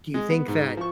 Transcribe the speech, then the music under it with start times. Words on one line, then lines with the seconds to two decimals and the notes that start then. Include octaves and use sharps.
do you think that
0.14 G#3
0.29 B3
0.48 G#2
0.77 F3 C#6